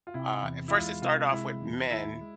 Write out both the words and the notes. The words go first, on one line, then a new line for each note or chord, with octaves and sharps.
uh at first it started off with men
F4
C3 E4
E2
E4
G#3 F4
C3 F4
G#3 E4
E2
D#2 E4
G#3